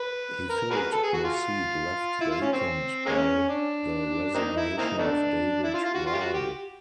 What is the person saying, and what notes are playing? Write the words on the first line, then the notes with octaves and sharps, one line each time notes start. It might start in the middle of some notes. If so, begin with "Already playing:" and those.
He filled the seat left vacant by the resignation of Dawid Rooi.
Already playing: B4
A#4
F#4 G#4 B4
A4
G#4
F#4
F4
E4
F4
C#4
C4
G#3 A#3 C#4
D4
A#3 C4 D#4
E4
A#3 C4 D#4
A3 B3 D4
E4
F4
F4
F#4
F4
G4
F#4
G4